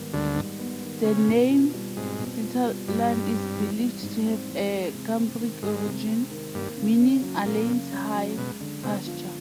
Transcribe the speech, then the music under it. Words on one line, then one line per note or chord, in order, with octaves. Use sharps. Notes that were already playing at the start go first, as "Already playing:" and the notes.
The name Seatallan is believed to have a Cumbric origin, meaning "Aleyn's high pasture".
Already playing: G#2 D#3 G3 B3
D2 D3 G3
G#2
B3
D#3
C#3 C4
B2
F4
G3
G#2 C4
B2
F4
G3
G2 G3
G#2
C4
E3
G3
G#2
C4
E3
G#3
C3
C4
D#3
G#2 G#3
C3
C4
D#3
G2 A#3
C#3
C#4
F#3
A#2 A#3
C#3
C#4
F#3
B2 G#3
D3
C3 B3
F3